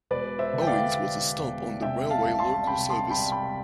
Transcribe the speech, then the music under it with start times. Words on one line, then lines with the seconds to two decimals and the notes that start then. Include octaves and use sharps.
Owings was a stop on the railway local service.
0.11 E1 B4 D5
0.39 C5 E5
0.53 D3
0.62 G5
0.67 D5 F5
0.96 D3
1.40 E1
1.81 C3 E5 G5
2.10 F5 A5
2.25 C2
2.39 A5 C6
2.67 C3 G5 B5
2.90 A5 C6
3.10 C2 G5 B5
3.32 G5 B5